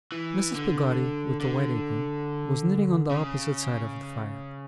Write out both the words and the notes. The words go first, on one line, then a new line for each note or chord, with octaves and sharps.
Mrs. Peggotty with the white apron, was knitting on the opposite side of the fire.
E3
D3
D3
C#3